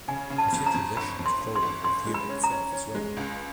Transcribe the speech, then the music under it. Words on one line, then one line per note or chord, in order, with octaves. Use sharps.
A few traditions follow the revue itself as well.
C#3 G#5
C#3
A5
F2
A#5
F2
G1 B5
F2
C6
G1
C6
G1
C#2 C6
G#3
B5
C#4
A#5
C#4
C#4
G#3
C#2